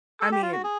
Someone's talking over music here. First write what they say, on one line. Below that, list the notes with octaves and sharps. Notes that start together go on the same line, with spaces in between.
I mean,
A4
G4
F4
F#4
G#4